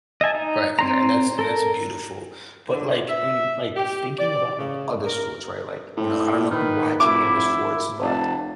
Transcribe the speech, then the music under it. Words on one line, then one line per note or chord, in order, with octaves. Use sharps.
Right, and and that's and that's beautiful, but, like in like, thinking about other sports, right, like, you know, I don't know if you watch any other sports, but,
D#5 E5 G#5 A5
D#4
C4 C5 A#5
A4 A#4
D3
E5
G4
D5
C#3
A#4
A2 C4
D#3 B4
F1 E4 D6
F1 A5